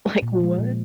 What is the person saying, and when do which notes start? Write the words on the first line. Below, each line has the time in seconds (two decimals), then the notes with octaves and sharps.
Like, what?
0.22 A#2
0.40 F3 G#3
0.58 A#2